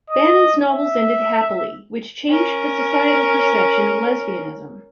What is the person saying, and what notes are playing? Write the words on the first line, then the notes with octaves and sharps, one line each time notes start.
Bannon's novels ended happily, which changed the societal perception of lesbianism.
D#5
E5
C#4 A#4